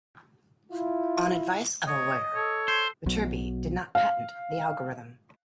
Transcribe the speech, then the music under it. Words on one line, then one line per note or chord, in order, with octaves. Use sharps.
On advice of a lawyer, Viterbi did not patent the algorithm.
E4 F4
C#5 D#5
A4 C#5
C5
B1 B2 F#3
F5